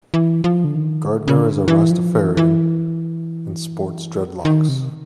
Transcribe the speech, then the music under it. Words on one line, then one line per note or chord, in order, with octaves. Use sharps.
Gardner is a rastafarian and sports dreadlocks.
E3
F3
D3
D#3
D3
C#3
D3
E3
F3
E3
E3
D#3
C3